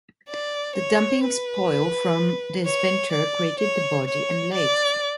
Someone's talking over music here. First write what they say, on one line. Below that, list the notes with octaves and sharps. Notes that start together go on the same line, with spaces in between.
The dumping of spoil from this venture, created the body and legs.
D5
C#5
B4
C#5
D5
C#5
C#5
D5